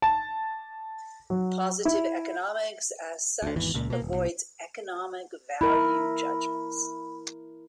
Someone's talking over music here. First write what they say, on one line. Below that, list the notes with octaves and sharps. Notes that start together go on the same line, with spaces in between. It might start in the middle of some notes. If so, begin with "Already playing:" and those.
Positive economics as such avoids economic value judgements.
A5
F#3
E4
D2 D3
G#1 E2 E3
C#2 A#2
B2 A#3
D#1
C2
E4 A#4 B5